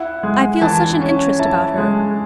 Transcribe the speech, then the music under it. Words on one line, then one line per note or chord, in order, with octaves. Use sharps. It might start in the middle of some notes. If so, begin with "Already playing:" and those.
I feel such an interest about her.
Already playing: E4 F#5
G#3
E3 A5
C#4
E4 A5
G#3